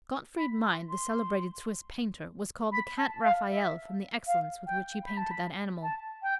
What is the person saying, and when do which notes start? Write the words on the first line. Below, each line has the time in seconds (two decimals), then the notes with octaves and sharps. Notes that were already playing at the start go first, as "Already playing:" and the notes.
Gottfried Mind, the celebrated Swiss painter, was called the "Cat Raphael," from the excellence with which he painted that animal.
0.36 B5
0.63 C6
0.89 C6
2.71 B5
2.97 A5
3.23 F5
3.49 E5
4.26 F5
4.66 G5
5.04 B5
5.16 A5
5.30 B5
5.82 A5
6.22 G5